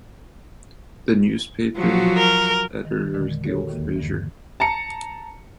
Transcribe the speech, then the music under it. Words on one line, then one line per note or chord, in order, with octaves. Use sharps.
The newspaper's editor is Gill Fraser.
F3 F#3 F#4
A#4
D#3
E2 A#2 D3 D#3 G#3
F#4 G4 A4 A#4 C#5
D#2 D#3 A#3
G2 D3 E3
A5 A#5 C#7